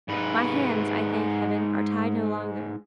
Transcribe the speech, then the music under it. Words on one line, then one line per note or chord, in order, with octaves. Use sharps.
My hands, I thank Heaven, are tied no longer.
G#2 B4